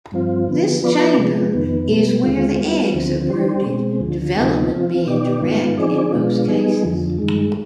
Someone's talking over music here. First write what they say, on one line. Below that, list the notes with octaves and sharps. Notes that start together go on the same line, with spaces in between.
This chamber is where the eggs are brooded, development being direct in most cases.
G2 F3 C4 F4
D3 F3 B3
F3 B3 F4 B4 D5
C3 F3 G#3 B3
F2 D#3 B3
B2 G3 B3
D#2 D3 G#3 C4 F4
G3 B3 F4
D2 D3 F3 C4
G3 D4 G4 C5
B2 G#3 C4
D2 D3 F3
D2 C3 F3 B3 D#4
F3 C4 F4
B2 B3 D#4 G4 D5
G#2 D#3 B3 F4
F3 C4 D#4 G#4 D5
B2 G#3 B3 D4 F4
G3 B3 D#4 G#4
F2 D3 F3
G2 D#3 G#3